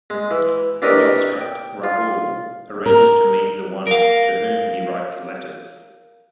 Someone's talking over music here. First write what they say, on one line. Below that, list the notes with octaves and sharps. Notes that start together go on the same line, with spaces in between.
A lovestruck Rahul arranges to meet the one to whom he writes letters.
G#3
E3
E3 D4 G4 A#4 C#5 D#5
G5
F4
A#4
A#4 F5